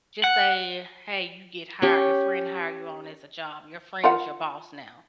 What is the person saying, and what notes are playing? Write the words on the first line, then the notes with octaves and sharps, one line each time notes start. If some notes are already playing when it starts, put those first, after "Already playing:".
just say, "Hey. You get hired. Your friend hire you on as a job. Your friend is your boss now,"
F#5
C#4 G4
F4 A#4 F#5